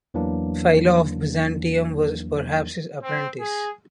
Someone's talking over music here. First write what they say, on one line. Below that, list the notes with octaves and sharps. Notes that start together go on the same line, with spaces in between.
Philo of Byzantium was perhaps his apprentice.
E2 E3 F#3 A#3 D4
C4
G#4